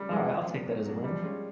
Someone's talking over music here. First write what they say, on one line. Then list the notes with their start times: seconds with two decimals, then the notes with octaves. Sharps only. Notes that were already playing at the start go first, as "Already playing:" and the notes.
Alright. I'll take that as a win.
Already playing: C#3 F3 G3 A3
0.11 F3 G#3 A3
0.29 A#2
0.48 F#3 B3 D4
0.67 A#2
0.86 F#3 B3 D4
1.04 F3 G3
1.22 G#3 C#4 F4